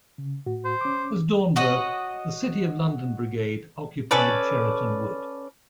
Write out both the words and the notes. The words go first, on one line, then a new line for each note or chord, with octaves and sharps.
As dawn broke, the City of London Brigade occupied Cheriton Wood.
C#3
A2 F#4
C5
C#4 D6
F#4 C#5 D#5 F#5
C#4 A4 B4 D5